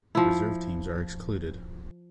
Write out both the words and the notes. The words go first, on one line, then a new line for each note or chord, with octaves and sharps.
Reserve teams are excluded.
F3 E4